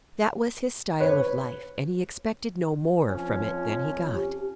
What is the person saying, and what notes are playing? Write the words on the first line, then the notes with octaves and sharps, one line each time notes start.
That was his style of life, and he expected no more from it than he got.
B4 C#5
F2 F3 C#4
G4